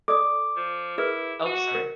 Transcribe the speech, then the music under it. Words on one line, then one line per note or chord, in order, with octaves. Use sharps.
Ope, sorry.
A4 D5 D6 D#6
F3
E4 G#4 A#4 B4
F#4
A#4